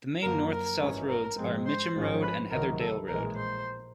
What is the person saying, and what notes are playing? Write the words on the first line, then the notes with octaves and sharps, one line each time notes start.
The main north-south roads are Mitcham Road and Heatherdale Road.
F#2 D3 F3 A#3 A#4
A#4
G#1 G2 E3 G#3 C#4
A#4
G#2 F3 G#3 C4
C5
G#1 G#2 F3 G#3 C#4
B4
C#2 C3 D#3 F#3 A#4
A4
A#1 A2 E3 G#3 A#4
C5